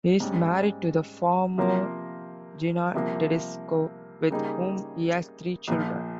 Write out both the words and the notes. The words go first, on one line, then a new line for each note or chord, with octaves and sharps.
He is married to the former Gina Tedesco with whom he has three children.
G#2 G3 C#4
C3 F3 A#3 F4 A#4
C2 C3 F3 A#3
C#3 G3 A#3 D#4 G#4
A#1 A#2 F3